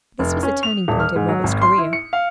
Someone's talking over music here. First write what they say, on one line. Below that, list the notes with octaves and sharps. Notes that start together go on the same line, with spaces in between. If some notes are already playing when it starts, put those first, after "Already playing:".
This was a turning point in Roberts' career.
F1
C#4
F7
D#1
F6
G#2
F#3
G#1
C6
E4
C#7
F5